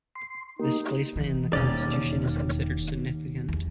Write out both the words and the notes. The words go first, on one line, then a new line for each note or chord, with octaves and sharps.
This placement in the Constitution is considered significant.
C6
A#3 D#4 G4
E3
E1 D#2 C#4 D5
E2